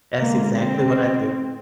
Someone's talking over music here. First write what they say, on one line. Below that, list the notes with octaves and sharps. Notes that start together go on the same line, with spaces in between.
That's exactly what I do.
D3 G#3 A#3
C4